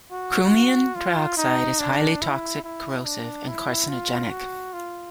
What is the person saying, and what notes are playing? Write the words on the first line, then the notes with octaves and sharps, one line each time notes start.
Chromium trioxide is highly toxic, corrosive, and carcinogenic.
F#4
F4
D#4
D4
E4
E4
D4
E4
F4
F#4
F4